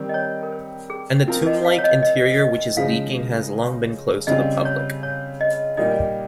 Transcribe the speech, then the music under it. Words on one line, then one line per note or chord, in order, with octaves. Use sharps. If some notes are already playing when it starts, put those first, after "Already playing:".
And the tomblike interior, which is leaking, has long been closed to the public.
Already playing: D#3 G3 C4
D#5
C#5
A#4
C5
G#4
F3 C4 F4 A#4
D#5
F5
C#5
D#5
D#5
D#5
C#3 F3 G#3 D#4 F5
C#3 G3 C4 F4 D#5
C#5
C#5
D#5
A#2 G3 A#3 D#4 D#5